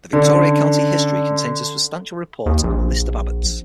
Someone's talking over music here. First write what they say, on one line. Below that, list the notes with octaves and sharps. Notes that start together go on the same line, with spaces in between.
The Victoria County History contains a substantial report and a list of Abbots.
D3 C#4 D5 A5
D#2
A#1